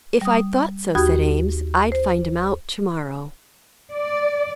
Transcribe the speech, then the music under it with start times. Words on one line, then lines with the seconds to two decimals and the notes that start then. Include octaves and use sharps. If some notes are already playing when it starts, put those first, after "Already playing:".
"If I thought so," said Eames, "I'd find him out to-morrow."
0.21 G3 D#6
0.95 D#2 F#4 G4 B5 D#6 G#6
1.92 C5
3.94 D5